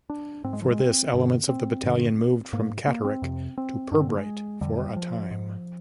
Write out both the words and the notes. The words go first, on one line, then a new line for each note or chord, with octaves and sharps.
For this, elements of the battalion moved from Catterick to Pirbright for a time.
D4
G#2 C4
G#3
F3
G#3
C4
G2 D3
C4
G2 D3
G#2 A#3
A#3
C4
F2 C3
C4
G2 D3 D4
C4
A#3
G#3
F2 D3 G3
G3
F3
G#2